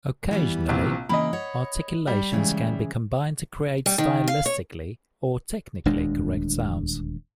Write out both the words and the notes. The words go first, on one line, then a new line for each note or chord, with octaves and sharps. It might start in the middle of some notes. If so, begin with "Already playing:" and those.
Occasionally, articulations can be combined to create stylistically or technically correct sounds.
E3 G3 B3
A#1 C3
C#3 E3 A#3 D#5 B5
C#5 F#5
G3
C#3 E3 G#3
G3
D#3
F5
C#5
D#1 D2 G#3 D4